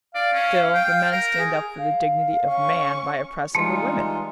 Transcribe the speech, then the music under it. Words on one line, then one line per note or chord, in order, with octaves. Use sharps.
Still the men stand up for the dignity of man by oppressing the women.
D5 F5
C#4
G5
A#4
G#4
F5
C#4 C#6
E3 G3 G#3 D#4 F4 A5 C6 C#7